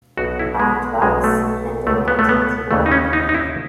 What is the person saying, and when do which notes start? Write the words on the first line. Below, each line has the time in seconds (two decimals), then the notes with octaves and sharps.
Aardvarks handle captivity well.
0.17 B1 B2 F#4
0.39 E4
0.60 G#3
1.02 B1 B2 G#3
1.24 A3
1.87 C#2 B2 A3
2.08 B3
2.19 A3
2.29 B3
2.71 D#2 C#3 E3 A3
2.86 D#4
2.92 C#4
3.13 D#4
3.29 D#4
3.34 E4